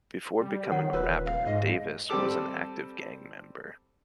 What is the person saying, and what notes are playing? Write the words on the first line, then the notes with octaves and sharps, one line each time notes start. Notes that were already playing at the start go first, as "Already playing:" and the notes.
Before becoming a rapper Davis was an active gang member.
G3
D#3 C#5 F#5
D#1 F4 A#4 B4 C#5
F5
G#2 D#5
G3 C4 G4 A4 D6